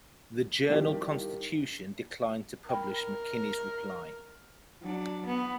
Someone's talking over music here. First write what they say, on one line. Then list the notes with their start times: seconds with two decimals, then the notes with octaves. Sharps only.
The "Journal-Constitution" declined to publish McKinney's reply.
0.69 D#3 F3 G3 E4 G4 D5
2.69 A#4 G5 B5
4.82 F#3 D4
5.26 B3